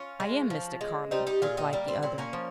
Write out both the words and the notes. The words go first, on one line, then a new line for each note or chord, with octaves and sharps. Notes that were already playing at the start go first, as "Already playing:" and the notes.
"I am Mr. Carling," replied the other.
Already playing: C#4 F4
G#3
F3
G#3
G3 C4 D#4
D#4 G4
A#2 F4 G#4
D#4 G4
G3 A#3
C4
A#2 C4
A#3 C#4
F3